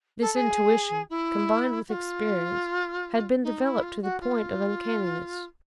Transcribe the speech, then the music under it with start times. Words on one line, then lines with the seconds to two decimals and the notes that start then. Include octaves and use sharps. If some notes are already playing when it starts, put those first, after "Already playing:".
This intuition, combined with experience, had been developed to the point of uncanniness.
0.21 A4
0.33 A4
0.36 G#4
1.10 E4
1.89 F#4
1.92 F4
3.44 D#4
3.63 E4
3.83 F4
4.02 F#4
4.20 F4